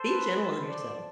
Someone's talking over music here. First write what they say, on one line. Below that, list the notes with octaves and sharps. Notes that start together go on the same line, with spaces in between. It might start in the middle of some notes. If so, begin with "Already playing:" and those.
be gentle on yourself.
Already playing: A4 C5
B4
D5